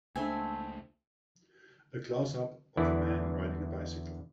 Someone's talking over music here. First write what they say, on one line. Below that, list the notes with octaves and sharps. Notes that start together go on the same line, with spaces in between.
A closeup of a man riding a bicycle.
C#2 A3 A#3 C4 D4 C5 E5 G#5
E2 D3 E3 E4 D5